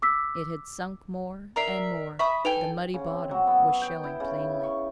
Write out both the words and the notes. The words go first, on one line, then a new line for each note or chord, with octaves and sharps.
It had sunk more and more--the muddy bottom was showing plainly.
D6 E6 B6
A#4 D5 E5 A#5 C7
E5 B5 C#6 D#6
D#4 A4 B4 G5 G#5 F7
C#3
C4
F#3
B3
G5
E4
C#3
C#6